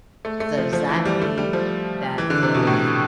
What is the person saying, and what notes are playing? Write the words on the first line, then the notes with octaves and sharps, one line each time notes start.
Does that mean that if
A3
A3
F3
F3
E3
G3
A3
G3
F3
E3
D3
C3
B2
A2